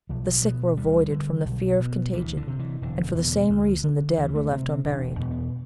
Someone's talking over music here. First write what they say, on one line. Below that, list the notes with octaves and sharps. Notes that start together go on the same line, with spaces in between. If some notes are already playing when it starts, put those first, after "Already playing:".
The sick were avoided from the fear of contagion, and for the same reason the dead were left unburied.
B1 F3
B2
D2 G3
D3
B1
B2
D2 E3
D3
C3
E3
E1 D3
E2 B2
D2
D3
D2 E3
A3
C3 C4
C4
E1 D4
E2 B2
B3